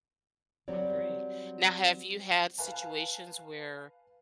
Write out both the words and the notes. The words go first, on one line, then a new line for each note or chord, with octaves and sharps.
agree. Now, have you had situations where
F#3 G3 C4 C#5 D5
B4 F5 G#5 A5